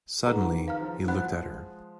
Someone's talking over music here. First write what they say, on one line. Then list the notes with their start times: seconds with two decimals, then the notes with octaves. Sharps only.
Suddenly he looked at her.
0.26 D#3 G#4 B4 F#5 A#5
0.36 D#3
0.41 F3
0.53 D#3
0.67 D#3 B4 F5 A#5 F6
0.81 F3
0.94 D#3 F#3
1.08 F3 G#3 F#5 B5 F#6
1.28 F3 G#3